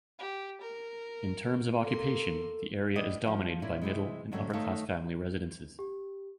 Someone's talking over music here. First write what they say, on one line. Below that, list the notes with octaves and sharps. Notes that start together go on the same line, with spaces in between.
In terms of occupation, the area is dominated by middle and upper-class family residences.
G4
A#4
A#3 A4 C6
A2 D4 D#5
F3 F4 F5
A#2 C#4 E4 A#4
C3 E3 G#3
G#2 D3 F#3 G3 A3 C#4
D#3 A3 D#4 C#5 F5
G4